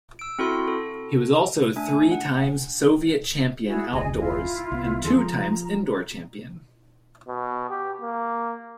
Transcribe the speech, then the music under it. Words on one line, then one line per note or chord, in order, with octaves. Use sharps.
He was also three times Soviet champion outdoors, and two times indoor champion.
E6 D7
C4 E4 F#4 A4 C6
A4
A3 D4 G#5
F#5
E4 F#4 G#4
F1 D2 G#4 D#5 G#5
E4 F4
C2 B3
E2 D3 G#4 A4 C6
F3 A#5
B2
G4
A#3